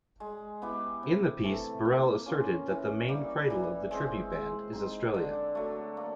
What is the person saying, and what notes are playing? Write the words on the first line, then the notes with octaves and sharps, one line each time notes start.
In the piece, Barrell asserted that the main cradle of the tribute band...is Australia.
G#3
B3 E4 G4
C3
E3 A3
A#3
C#4 F4 A#4
E3
G3 A#3
E3
G#3 C4
G#3
C4 D#4
D3
F#3 A3
A#3